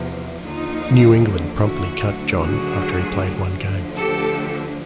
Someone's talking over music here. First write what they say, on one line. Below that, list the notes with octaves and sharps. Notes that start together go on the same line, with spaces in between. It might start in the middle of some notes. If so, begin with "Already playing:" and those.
New England promptly cut John after he played one game.
Already playing: E2 C3 F3
D#2 D3 F3 D#4 F4
E4 F#4
D2 D3 F#3
F#4 G#4
D2 D3 F3
G4 A4